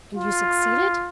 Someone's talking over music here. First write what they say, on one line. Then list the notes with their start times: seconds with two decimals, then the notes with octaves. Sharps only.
"And you succeeded?"
0.16 F4